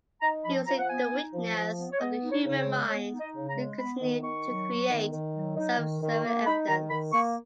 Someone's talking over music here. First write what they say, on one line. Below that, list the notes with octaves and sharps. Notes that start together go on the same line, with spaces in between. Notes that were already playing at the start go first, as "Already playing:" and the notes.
Using the weakness of the human mind, they continue to create self-serving evidence.
D#4 A#5
F3 B5
F3 A#5
F#5
B3 G#5
D#4
F3
F3
B3
C#5
B3 D#5
D#4
C#5
C#3
C#5
G#3
B3 C#5
D#4
D#5
C#3
A#5
G#3
B3 B5
D#3
D#3 C#6
F#3
B3
D#3
D#3
F#3
D#4
D#3
D#3
A#3
D#4 B5
D#3 A#5
D#3 B5
A#3 C#6